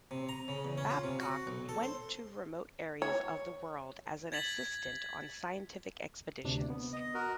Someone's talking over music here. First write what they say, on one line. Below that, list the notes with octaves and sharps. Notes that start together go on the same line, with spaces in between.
Babcock went to remote areas of the world as an assistant on scientific expeditions.
C3
A#5
C#3
E2
C#4
F4
C3
F#4
B1
A4
C5
C#5
G#6 A6 B6 F#7
D2 C3 D4
B3
D#5
F#4 A#4